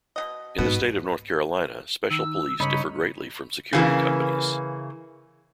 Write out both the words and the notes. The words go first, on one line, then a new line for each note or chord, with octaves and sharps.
In the state of North Carolina, special police differ greatly from security companies.
B2 B3 D#5
G#2 B2 B3
D#3 E6
G2 C#3 D#4 C#5 B5
C#3 E3 A#3